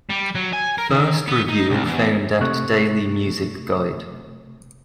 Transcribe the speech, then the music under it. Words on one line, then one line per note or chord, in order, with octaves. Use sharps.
First review found at Daily Music Guide.
G3
F#3
G#5
A#4
D#3
B3
D#4
C2
E2
C3 A3 C#6 F#6